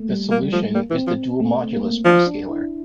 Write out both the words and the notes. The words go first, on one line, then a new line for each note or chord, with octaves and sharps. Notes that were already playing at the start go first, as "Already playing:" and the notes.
The solution is the dual modulus prescaler.
Already playing: A3 A#3
G3
G3 A#3
G3
F3 A3
G3 A#3
E3
C4
F3
A3
A#3
F3 D4
D4
E4